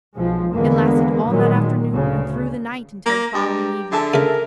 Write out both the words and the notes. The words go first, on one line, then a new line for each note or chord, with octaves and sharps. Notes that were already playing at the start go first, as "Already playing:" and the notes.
It lasted all that afternoon and through the night until the following evening.
B1 F3 G#3
E2 D3 G#3 A#3 B3
A#2 D#3 F#3 G#3
D2 C#3
A#3 A#5 A#6
G2 G4
D3 G#4 E5 A5
C#3 A3 A#4